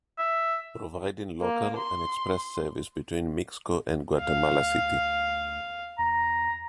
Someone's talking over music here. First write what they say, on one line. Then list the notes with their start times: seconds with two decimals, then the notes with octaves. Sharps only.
Providing local and express service between Mixco and Guatemala city.
0.18 E5
1.42 A#3
1.77 C6
4.21 D2 F5
5.99 E2 A#5